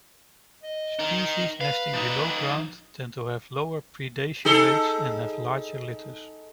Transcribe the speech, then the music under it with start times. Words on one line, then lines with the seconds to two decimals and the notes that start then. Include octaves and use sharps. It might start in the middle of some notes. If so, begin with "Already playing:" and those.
Species nesting below ground tend to have lower predation rates and have larger litters.
0.63 D#5
0.99 D#4 A#4
1.61 B4 F5
1.93 F3 D#4
4.45 D#4 G#4 A4